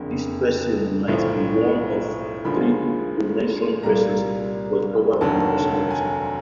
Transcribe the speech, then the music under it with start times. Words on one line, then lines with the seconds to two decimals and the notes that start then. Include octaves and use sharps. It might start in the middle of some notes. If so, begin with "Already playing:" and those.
This person might be one of the three prementioned persons, but probably is not.
Already playing: F#1 F2 D3
1.07 B1 A2 F3
2.44 D#2 D3 F3 G#3 B5
3.83 C2 A#2 G3 A#3 A#5
5.21 F1 D#2 D3 F#3 A5
5.90 G#5